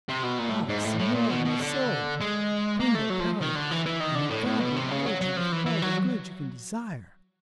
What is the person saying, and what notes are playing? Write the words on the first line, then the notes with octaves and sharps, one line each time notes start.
Ah, senor of my soul! bring that powder, and may God reward you with all the good you can desire.
C3
B2
A#2
A2
G#2
A2
A2
A#2
B2
B2
D3
G#3
A#3
A3
F#3
F3
D#3
D3
E3
E3
D#3
D3
A2
A2
B2
C3
C#3
F#3
F#3
F3
E3
E3
F#3